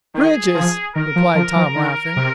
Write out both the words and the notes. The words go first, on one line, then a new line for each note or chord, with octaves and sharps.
"Bridges," replied Tom, laughing.
D#3 G#4
F3
D#3 A#4
F3
F3
F3
D#3
C3